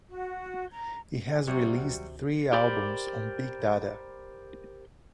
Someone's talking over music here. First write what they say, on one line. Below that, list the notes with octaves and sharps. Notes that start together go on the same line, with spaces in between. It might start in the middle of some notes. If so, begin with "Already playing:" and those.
He has released three albums on Big Dada.
F#4
A#5
G#5 G#6
C3 F#3 G3
D2 D#3 F#4
G4 A#4 C5 D5 B5